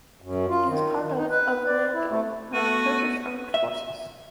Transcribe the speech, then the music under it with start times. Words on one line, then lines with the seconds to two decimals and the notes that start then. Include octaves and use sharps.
It is part of of land owned by the Turkish Armed Forces.
0.22 F#2
0.50 F4
0.68 D#3
1.17 D#4
1.30 B4
1.66 D5
1.93 E4
2.10 A3
2.53 A3 B3 F#4 D#7
3.54 E5